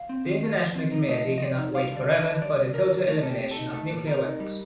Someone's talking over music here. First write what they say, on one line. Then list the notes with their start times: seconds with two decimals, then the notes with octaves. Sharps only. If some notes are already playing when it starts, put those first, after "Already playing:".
The international community cannot wait forever for the total elimination of nuclear weapons.
Already playing: F5
0.09 C4
0.26 D#3
0.43 A3
0.59 F3
0.75 C4
0.92 D#4
1.08 A3 D#5
1.25 F3
1.38 D#5
1.42 C4 D5
1.58 D#4
1.74 G3 F5
1.91 D3
1.97 D5
2.08 D4 D#5
2.24 D3
2.41 G3 D5
2.58 D3
2.74 D4 A#4
2.90 D3
3.08 A3 A#4
3.23 A#2 A4
3.30 G4
3.40 C4
3.51 A4
3.57 D#4
3.73 A3 A4
3.91 A#2
4.07 C4 A#4
4.24 D#4
4.40 G3